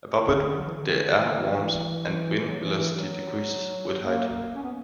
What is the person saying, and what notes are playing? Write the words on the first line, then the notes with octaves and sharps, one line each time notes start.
Above it, the air warms and wind velocity decreases with height.
D3
F#3
E3
D3
E3
D3
G3
F#3
E3
E3
E3
F#3
E3
F#3
A#3
A#3
C#4
B3